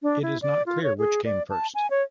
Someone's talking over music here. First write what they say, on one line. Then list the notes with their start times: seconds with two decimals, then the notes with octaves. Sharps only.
It is not clear which came first.
0.03 D4
0.22 E4
0.42 D5
0.66 F4
0.83 C#5
0.98 G#4
1.25 D5
1.50 A5
1.75 G#5
1.90 C#5